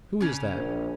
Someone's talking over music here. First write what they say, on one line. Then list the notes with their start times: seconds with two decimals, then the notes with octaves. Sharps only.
Who is that?'
0.21 C#3 C#4
0.53 A#1